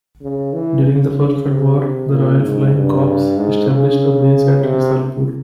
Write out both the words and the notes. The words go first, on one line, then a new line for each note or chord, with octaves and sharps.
During the First World War, the Royal Flying Corps established a base at Risalpur.
C#3
E3
C#3
C3
A#2
G#2
G2
G#2
C#3
C3